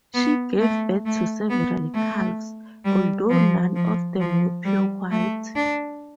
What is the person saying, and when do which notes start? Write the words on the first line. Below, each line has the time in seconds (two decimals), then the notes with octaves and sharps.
She gave birth to several calves, although none of them were pure white.
0.14 B3
0.60 A3
1.06 A3
1.50 B3
1.94 A3
2.85 G3
3.30 F3
3.76 F3
4.20 F3
4.65 G3
5.11 A3
5.56 D4